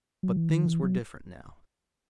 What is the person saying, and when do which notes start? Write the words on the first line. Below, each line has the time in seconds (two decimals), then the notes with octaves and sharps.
But things were different now.
0.23 F#3
0.36 E3
0.50 D#3
0.66 E3
0.83 F#3